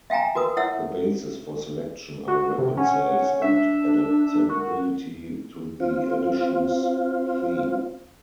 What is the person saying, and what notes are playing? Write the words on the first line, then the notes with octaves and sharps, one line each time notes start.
The basis for selection are record sales and adaptability to the edition's theme.
E5 F5 G5 G#5 A#5
F#4 A#4 B4 D#6
E4 C#5 E5 F#5 E6
F#4
C3
C#4 F#5
D4 E5
F#4 A#4
C4 F4